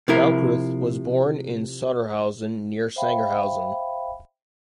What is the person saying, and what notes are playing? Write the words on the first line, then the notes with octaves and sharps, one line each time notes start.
Kalkreuth was born in Sotterhausen near Sangerhausen.
C3 F3 E4 A#4
C5 E5 F5 G5 B5